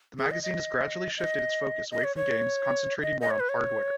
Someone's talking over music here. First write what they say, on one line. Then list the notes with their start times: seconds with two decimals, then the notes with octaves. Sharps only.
The magazine has gradually shifted its focus away from games, concentrating more on hardware.
0.19 G#4
0.31 D#5
0.43 D#5
1.18 D#5
1.91 D#5
2.04 C#5
2.16 C#5
3.02 D#5
3.21 D#5
3.31 C#5
3.40 B4
3.49 C#5